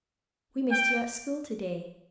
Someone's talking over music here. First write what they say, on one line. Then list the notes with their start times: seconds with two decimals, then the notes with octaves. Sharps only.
"We missed you at school to-day."
0.71 G5